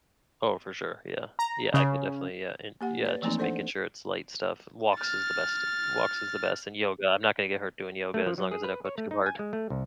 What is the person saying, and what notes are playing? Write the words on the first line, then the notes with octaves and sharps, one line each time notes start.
Oh, for sure. Yeah. Yeah. I could definitely yeah. And, yeah, just making sure it's light stuff. Walks is the best walks is the best. And yoga, I'm not gonna get hurt doing yoga as long as I don't go too hard.
A#5
C#3
A#3 G4 F#5
B4 C#5 D5
E3 F3 A3 A#3 C4 D#4
D4 A4 C5 D5 F#5
F6 A6
A3
F3
F#3
G#4
B4
C#5
A3
D#4
G#5
G#3
A3
C2